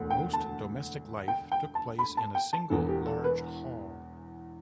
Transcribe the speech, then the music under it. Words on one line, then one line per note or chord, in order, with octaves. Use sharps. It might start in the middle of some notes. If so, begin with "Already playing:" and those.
Most domestic life took place in a single large hall.
Already playing: E1 D2 D3
G5
A5
G5
G5
A5
B5
A5
G5
A5
E1 E2 E3 A4
G4
A4
B4